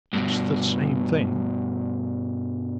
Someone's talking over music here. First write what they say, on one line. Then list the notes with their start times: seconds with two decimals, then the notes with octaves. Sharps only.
"It's the same thing."
0.13 G2 B2